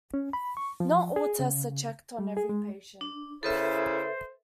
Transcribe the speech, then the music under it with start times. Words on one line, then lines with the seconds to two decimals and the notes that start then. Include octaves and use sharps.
Not all tests are checked on every patient.
0.14 C#4
0.33 B5
0.57 C#6
0.80 F3
1.16 G#4
1.39 C#3
2.19 G3
2.37 G#4
2.49 G#3
3.01 D4
3.43 C#3 E4 A4 B4 C5 E5